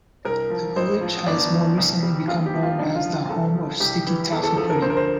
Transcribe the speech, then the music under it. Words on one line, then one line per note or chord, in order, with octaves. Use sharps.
The village has more recently become known as the "home of sticky toffee pudding".
C2 A#4
F3
A1 C5
F3
G1 D5
F3
C2
G3
A#1 F4
G4
F3
F4
C2 D4
F4
F3
F4
C2 A4
F3
C2 G4
E3
E2 A4
A4
F3 A4
A#4
D2 C5
A#4
C5